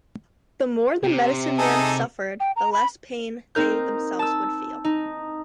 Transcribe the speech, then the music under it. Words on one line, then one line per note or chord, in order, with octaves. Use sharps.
The more the medicine men suffered, the less pain they themselves would feel.
C3
D#4 G#4 A4
G5
A#5
B5
C4 D#4 A#4 G6
A5 E6
D#4